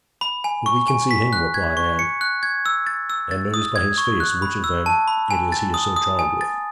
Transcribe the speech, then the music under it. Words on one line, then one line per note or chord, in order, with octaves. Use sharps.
'But we can see him,' replied Anne, 'and notice by his face which of them it is he is so charmed with.
B5
G#5
C#6
G#5
B6
F#6
G#6
C#6
C#7
F#6
G#6
E6
A6
E6
A6
D#6
G#6
C#6
F#6
B5
E6
A5
B5
G#5
A6
D#6
D#6
G#5
A6